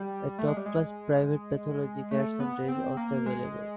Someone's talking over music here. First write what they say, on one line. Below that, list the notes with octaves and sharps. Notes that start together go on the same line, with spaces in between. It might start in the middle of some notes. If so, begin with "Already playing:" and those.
A top class private pathology care center is also available.
Already playing: G3
A3
G#3
G3
G#3
A3
B3
C4
A#3
G#3